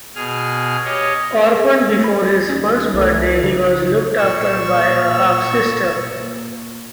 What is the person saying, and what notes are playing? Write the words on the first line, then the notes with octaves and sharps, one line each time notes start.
Orphaned before his first birthday, he was looked after by a half-sister.
B2 G#4 F6
G4 C#5 D#5
G#4
E6
A3
B5
D#2 C#4
C2 E3 A3
C#3 F3 D#4
A#2 C#6 E6